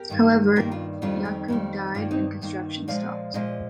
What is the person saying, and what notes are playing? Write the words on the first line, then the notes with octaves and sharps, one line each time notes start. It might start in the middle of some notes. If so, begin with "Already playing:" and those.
However, Yaqub died and construction stopped.
Already playing: G4 A#4
G2 D#3 A#3
G2 D#3 A#3 G4 A#4
D4 F4
F2 D#3 G3 D4 F4
D#4 G4
F2 D#3 G3
G2 D#3 A#3 D4 F4
C4 D#4
G2 D#3 A#3
A#2 F3 G#3 D5 F5
A#2 F3 G#3 C5 D#5